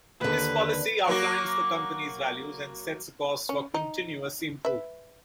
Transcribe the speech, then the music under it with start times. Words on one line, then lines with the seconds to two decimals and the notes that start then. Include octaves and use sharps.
This policy outlines the company's values and sets a course for continuous improvement.
0.21 D#2 D3 B4
1.07 F#3 A#3 F#4
3.49 C#4
3.74 D#4
4.65 B4 E5